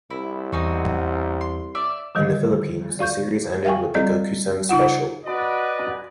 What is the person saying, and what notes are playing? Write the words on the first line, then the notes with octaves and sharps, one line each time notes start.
In the Philippines, the series ended with the "Gokusen" special.
C2 E4
E2 C4 D#4 F#4
C6
D5 E5 D6
D3 D#3 G3 D#5
D5 F5 C#6 G6
E5 F5 G5 G#5 C#6
G3 C4 D5 D#5
C#3 D#4 F4 F#5
F#4 B4 D5 D#5